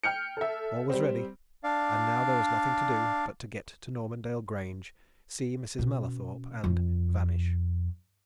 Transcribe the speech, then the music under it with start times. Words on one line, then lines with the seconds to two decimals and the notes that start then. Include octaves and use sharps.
All was ready--and now there was nothing to do but to get to Normandale Grange, see Mrs. Mallathorpe, and--vanish.
0.04 G5 F6 G6 C#7
0.37 A4 E5
0.90 G3 C4
1.64 D4 D5 F5
5.79 B2 C#4
6.64 F2